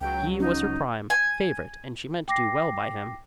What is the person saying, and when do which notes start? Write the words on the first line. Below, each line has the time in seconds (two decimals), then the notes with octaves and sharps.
He was her prime, favorite and she meant to do well by him.
0.01 C#2 F#3 G5
0.40 C#4 D#4
1.10 G#5
2.28 G5 D6 A#6 C7